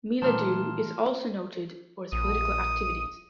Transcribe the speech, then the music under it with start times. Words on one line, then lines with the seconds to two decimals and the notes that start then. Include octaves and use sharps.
Miladhoo is also noted for its political activities.
0.22 A#2 D#3 E3 A3 A5 C6 F6
2.12 A#1 D#6